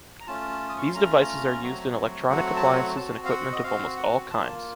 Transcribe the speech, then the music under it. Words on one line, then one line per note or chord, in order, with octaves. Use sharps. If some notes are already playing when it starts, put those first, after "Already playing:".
These devices are used in electronic appliances and equipment of almost all kinds.
A#5
A3 C#4 F4 A5
D#6
C#6
C6
A3 C#4 F4 A#5
F#3 A3 C4 F#4
F#3 A3 C4 F#4 F#5
A5
F#5
C4 F#4 A5
F5
F#5
D#5
C4 F#4 F5
F#5
A#3 F4 A5